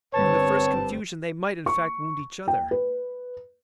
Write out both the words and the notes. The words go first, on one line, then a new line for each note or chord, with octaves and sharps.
In the first confusion, they might, in fact, wound each other.
G1 G3 C4 B4 C#5 A5
C#6
G5
B4